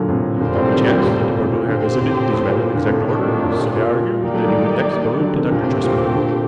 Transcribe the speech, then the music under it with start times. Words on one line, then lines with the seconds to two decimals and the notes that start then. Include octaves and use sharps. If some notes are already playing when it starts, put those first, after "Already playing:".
It could not be chance that the burglar had visited these men in exact order, so I argued that he would next go to Dr. Tresman.
Already playing: A#2 D3 F#3 A3
0.08 A2 C3
0.36 C3
0.40 A#2 D3 G3 C4 G4 C5
0.56 A2 C3
0.72 C3 D#3
0.88 A#2 D3
1.04 A2 C3
1.20 A#2
1.36 A2
1.52 A#2
1.68 A#2 D3 C4 G4 C5
1.84 A#2 D3
2.00 A2 C3
2.16 A#2
2.32 A2
2.48 A#2
2.75 A#2 D3
2.85 A2 C3
2.96 D#3 A3 D4 G4
3.20 C3
3.28 A#2
3.44 A2
3.59 A#2
3.76 A#2
4.23 A#2 A#3 D#4 G4 D5
4.34 F#3 A3
4.45 D#3 G3
5.19 D3 F#3
5.35 C3 D#3
5.51 A#2 D3 A3 C4 G4
5.62 A2 C3
5.72 A#2
5.83 A#2
6.15 A#2 D3